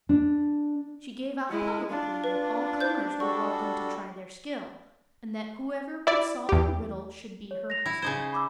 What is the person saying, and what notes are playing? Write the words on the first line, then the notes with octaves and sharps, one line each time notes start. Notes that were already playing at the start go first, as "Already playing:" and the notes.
She gave out publicly that all comers were welcome to try their skill, and that whoever could solve her riddle should be her husband.
D4
G#3 E4
D4 F4
B4
C5 G6
G3 F#4 A4 C#6
E4 D5
E2 G4
C#5
A#6 F7
E4
C#3 D#4 C5 G#6
B5 D6 E6